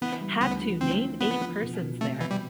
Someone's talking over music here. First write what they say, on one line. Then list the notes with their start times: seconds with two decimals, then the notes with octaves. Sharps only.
Had to name eight persons there.
0.01 E3 B3
0.21 G3
0.41 D2 B3
0.61 F3
0.81 D2 C4
1.01 E3
1.21 F3 B3
1.41 F3
1.62 B2
1.81 B2
2.01 C3 A3
2.20 E3 B3
2.31 G3